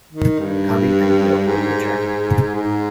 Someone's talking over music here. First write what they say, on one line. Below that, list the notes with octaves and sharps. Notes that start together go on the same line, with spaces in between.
Condit and Deal were co-chairmen.
D#3
G2
G#2
G#2